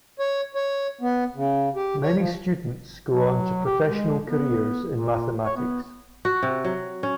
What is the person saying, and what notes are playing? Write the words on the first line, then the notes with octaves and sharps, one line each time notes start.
Many students go on to professional careers in mathematics.
C#5
C#5
B3
C#3
G4
C#5
F3
F#3
G4
G#3
B3
A#2
C#5
B3
F#4
C3
F#3
C#4